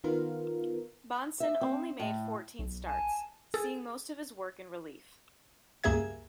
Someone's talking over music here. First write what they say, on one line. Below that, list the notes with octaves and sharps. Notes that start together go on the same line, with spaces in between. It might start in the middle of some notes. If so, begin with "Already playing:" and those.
Bahnsen only made fourteen starts, seeing most of his work in relief.
D#3 B3 F4 A#4
E5
C4
A2
B1
G#5 A5
G#4 A4
C#2 G2 A#3 G#4 E5 G#6